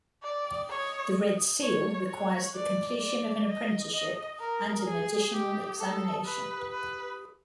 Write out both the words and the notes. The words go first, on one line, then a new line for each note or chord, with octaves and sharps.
The Red Seal requires the completion of an apprenticeship and an additional examination.
D5
C#5
C#5
C#5
D5
D5
D#5
D#5
A#4
G#4
G4
A4
B4
B4